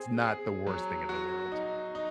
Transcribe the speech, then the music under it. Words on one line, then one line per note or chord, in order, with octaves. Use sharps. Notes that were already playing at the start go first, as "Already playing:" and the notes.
it's not the worst thing in the world.
Already playing: C4 G#4
G#4
F#3
F#4
D#4
D#4